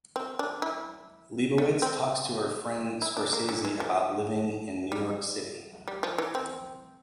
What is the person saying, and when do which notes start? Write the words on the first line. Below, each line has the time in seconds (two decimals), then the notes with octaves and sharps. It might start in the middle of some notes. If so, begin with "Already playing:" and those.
Lebowitz talks to her friend Scorsese about living in New York City.
0.16 C4
0.39 D4
0.62 E4
1.58 A3
1.82 C4
3.02 E4
3.17 D4
3.33 A#3
3.49 D3
3.65 E3
3.80 F3
4.92 G3
5.88 G3
6.03 F3
6.18 E3
6.35 C4